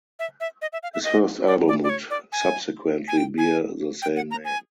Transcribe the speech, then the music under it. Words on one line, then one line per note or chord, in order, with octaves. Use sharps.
His first album would subsequently bear the same name.
E5
E5
D#5
E5
F5
E5
D#5
D5
D5
D5
C#5
D5
G#5
G#5
G5
G#5
G5
F#5
A#5
G#5